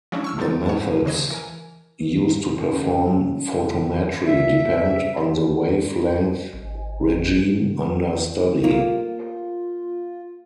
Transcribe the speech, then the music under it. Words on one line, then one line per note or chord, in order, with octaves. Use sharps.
The methods used to perform photometry depend on the wavelength regime under study.
F3 G#3 C#4 D4 E4
C#6 E6 F6
E2 G#3 D#4 C#5 A6
C#5 A5
D#2 C#3 C5 D#5 G#6
E3 A#4 G#5
C#4
A#2 E5
C#3
G#1
A#3 F4